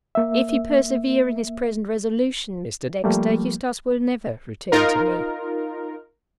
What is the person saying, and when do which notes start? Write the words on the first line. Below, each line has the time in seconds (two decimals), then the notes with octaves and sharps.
"If he persevere in his present resolution, Mr. Dexter, Eustace will never return to me."
0.15 A#3 E5
3.04 F3 G3 A3 A#3
4.72 D#4 F4 A#4